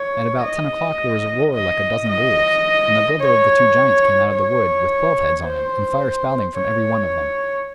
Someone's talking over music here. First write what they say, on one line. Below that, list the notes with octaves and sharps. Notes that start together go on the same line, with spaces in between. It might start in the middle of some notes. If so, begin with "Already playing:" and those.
At about ten o'clock there was a roar like a dozen bulls, and the brother of the two giants came out of the wood, with twelve heads on him, and fire spouting from every one of them.
Already playing: C#5
D#5
D#5
D#5
C#5
C#5
C5
C#5